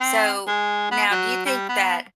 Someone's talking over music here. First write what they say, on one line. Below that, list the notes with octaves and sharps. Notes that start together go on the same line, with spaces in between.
So, now, do you think that
C4
G#3
B3
F#3
G3
B3